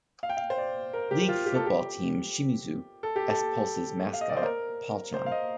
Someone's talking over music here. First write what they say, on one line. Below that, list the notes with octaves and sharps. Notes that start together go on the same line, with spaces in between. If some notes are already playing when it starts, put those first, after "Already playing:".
League football team Shimizu S-Pulse's mascot, Palchan.
F5
G5
F5
C5
D5
A#4
G4
G4
F4
G4
A4
G4
A4
G4
A4
F5
D#5
D5
C5
A#4
C5
F5
D#5